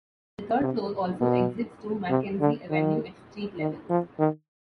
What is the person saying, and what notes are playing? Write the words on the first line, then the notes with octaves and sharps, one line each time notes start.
The third floor also exits to MacKenzie Avenue at street level.
C3
B2
C3
D3
D#3
D#3
F3
D#3